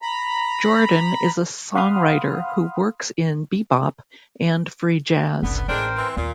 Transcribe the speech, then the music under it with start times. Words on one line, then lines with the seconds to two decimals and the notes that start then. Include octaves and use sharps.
Jordan is a songwriter who works in bebop and free jazz.
0.02 A#5 B5
1.75 F5 F#5 B5 C6 D#6 F6
5.43 F#1 C2 D3 B3
5.68 A1 E3 G#3 D4 A#4 C5 G5
5.96 E3 C4
6.17 D#2 A#2